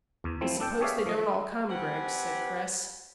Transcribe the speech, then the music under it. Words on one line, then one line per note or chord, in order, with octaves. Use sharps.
"But suppose they don't all come, Griggs?" said Chris.
E2
F3 A3 C4 E4
D4 A4 G5
G4 G#4 C#5 D5 E5 F5
F3 D#5
E5
C4 G4 B4 F#5 G#5 B5